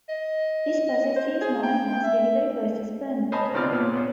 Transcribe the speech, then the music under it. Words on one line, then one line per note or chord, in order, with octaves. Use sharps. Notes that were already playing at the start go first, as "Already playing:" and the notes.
This process is known as delivery versus payment.
D#5
C5
G#4
G5
E5
C5 C#5 D#5 G#5 A5 B5
C#3 B3 C4 F4 D5 F6
A#2 B3 C#4
B3 C#4 C5